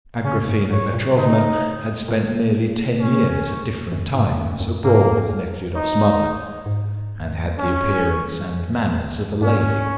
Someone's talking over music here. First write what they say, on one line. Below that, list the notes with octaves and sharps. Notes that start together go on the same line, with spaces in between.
Agraphena Petrovna had spent nearly ten years, at different times, abroad with Nekhludoff's mother, and had the appearance and manners of a lady.
C#3 C#4
G#2
G#2 C#5
A#2
C#3 D#4
A#2
C#4
F#2
G#2
F#2
F#2
G#2 A#3
D#4
G#2
C#4
G#2 C#4